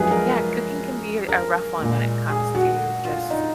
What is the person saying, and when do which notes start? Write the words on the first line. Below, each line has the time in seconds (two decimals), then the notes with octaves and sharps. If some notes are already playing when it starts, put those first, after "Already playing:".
yeah, cooking can be a rough one when it comes to just,
Already playing: F#2 F3 G#3 G#4 B4
0.11 A#4
1.29 A#4
1.79 A#2 G#3
2.29 G#4
2.55 F#4
3.05 F4
3.30 D#4